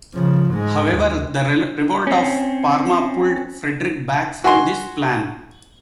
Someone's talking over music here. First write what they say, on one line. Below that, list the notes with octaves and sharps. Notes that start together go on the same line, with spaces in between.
However, the revolt of Parma pulled Frederick back from this plan.
C#3 F3
G#2 G#3
D#2
C4 C#4
F#4 G#5 C6